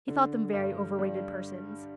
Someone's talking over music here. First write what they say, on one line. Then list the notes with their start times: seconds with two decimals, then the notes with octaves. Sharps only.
He thought them very over-rated persons.
0.08 D3
0.53 G2
0.99 G3